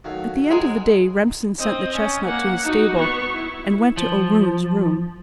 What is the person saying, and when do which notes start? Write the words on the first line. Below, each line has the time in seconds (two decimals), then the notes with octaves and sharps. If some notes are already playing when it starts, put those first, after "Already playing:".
At the end of the day Remsen sent the chestnut to his stable and went to O'Roon's room.
0.04 D#3 F#3 A3 F#4 F5
0.50 G#3 G#4 A#4
1.59 C4 D#5
1.96 C#4
2.27 A#3 F#5
2.64 D#4 F#4
2.95 B3 C#6
3.33 E4
3.97 F3